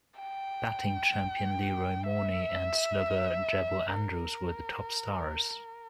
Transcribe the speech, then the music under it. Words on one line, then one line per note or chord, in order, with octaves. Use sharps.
Batting champion Leroy Morney and slugger Jabbo Andrews were the top stars.
G5
E5
A#4